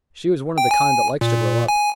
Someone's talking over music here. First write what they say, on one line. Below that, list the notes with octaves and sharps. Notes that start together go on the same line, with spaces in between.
She was one of the kind that likes to grow up.
G5
G#5
A#2
G#5